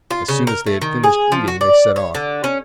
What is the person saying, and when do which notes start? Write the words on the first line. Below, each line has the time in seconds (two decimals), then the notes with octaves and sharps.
As soon as they had finished eating they set off.
0.11 F4
0.28 C#3
0.47 A#4
0.66 A3
0.82 D#3
1.04 G#4
1.32 F3
1.48 F#4
1.61 D5
1.96 C#5
2.15 D3
2.44 C#4